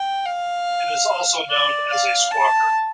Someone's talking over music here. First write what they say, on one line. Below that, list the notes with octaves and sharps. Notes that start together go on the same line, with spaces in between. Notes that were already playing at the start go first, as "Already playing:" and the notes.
It is also known as a squawker.
Already playing: G5
F5
D5
F5
A5